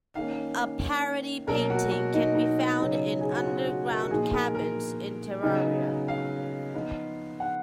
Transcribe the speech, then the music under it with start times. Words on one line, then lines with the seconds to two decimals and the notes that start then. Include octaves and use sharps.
A parody painting can be found in Underground Cabins in "Terraria".
0.15 D#3 A#3 C#4 F5
1.47 B2 F#3 A#3 A#4
1.70 F#4
1.91 F#4
2.14 D#4
2.35 D#4
2.79 C#3 F#3 B3 D#4
3.21 G#4
3.32 F#4
3.45 F4
3.67 F#4
3.89 A#4
4.03 F#4
4.11 A#2 F3 B3 D#4 G#4
4.33 A#4
4.55 A#4
5.43 C#3 F#3 B3 D#4
6.08 F5
6.74 F3 B3 D#4
7.40 F#5